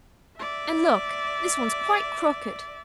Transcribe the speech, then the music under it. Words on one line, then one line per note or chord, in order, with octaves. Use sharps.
And look, this one is quite crooked!
D5 E5